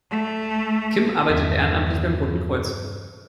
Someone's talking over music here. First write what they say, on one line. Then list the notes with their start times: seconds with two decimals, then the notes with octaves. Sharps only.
Kim arbeitet ehrenamtlich beim Roten Kreuz.
0.10 A3
1.29 E2 G2 E5